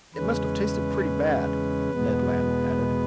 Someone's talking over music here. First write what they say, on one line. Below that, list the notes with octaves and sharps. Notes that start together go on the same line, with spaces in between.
"It must have tasted pretty bad," Ned Land added.
E2 C#3 G#3 C#4 B4
E2 B2 G#3 B3